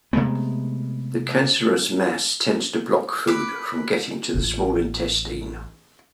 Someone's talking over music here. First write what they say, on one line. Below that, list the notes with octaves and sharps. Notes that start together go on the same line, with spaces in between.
The cancerous mass tends to block food from getting to the small intestine.
C3 G#3 A3 B3
B4 D6
A1 F4